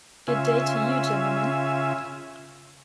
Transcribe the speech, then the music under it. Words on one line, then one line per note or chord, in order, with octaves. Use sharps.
Good day to you, gentlemen.
C#3 F4 E5 G#5